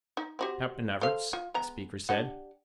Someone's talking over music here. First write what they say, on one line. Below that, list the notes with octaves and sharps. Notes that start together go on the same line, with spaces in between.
"Captain Everts," the speaker said.
D#4
C4 F#4 G4
A4 C5 F5
F4
G#3 B3 A#5
D4 G4 F#5